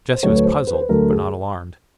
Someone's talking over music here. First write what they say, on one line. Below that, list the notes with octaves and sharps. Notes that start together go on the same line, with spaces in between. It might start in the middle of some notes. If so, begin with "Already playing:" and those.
Jesse was puzzled but not alarmed.
C5
D2 D3 F#3 A3 C#5
B4
C5
B4
C5
B4
D2 D3 F#3 A3 A#4
G#4